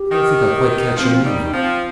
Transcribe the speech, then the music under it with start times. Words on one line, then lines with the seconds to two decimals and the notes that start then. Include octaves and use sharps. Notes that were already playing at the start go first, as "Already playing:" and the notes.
I don't think I quite catch your meaning.
Already playing: G4
0.12 D#3
0.96 F3 C4
1.24 D#3 G3 D#4
1.46 D#4
1.53 F3 C4